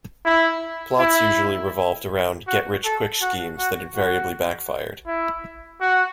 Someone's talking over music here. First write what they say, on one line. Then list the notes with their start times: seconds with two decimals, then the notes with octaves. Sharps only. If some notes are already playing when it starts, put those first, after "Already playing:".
Plots usually revolved around "get rich quick" schemes that invariably backfired.
0.25 E4
0.99 E4
2.47 F#4
2.84 A4
3.21 F#4
3.58 F#4
3.95 F#4
5.07 E4
5.81 F#4